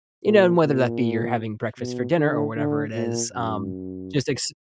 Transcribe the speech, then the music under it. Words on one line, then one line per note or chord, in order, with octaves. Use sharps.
you know, and whether that be you're having breakfast for dinner or whatever it is, um, just ex
A#2
A#2
B2
D3
D3
A#2
F#2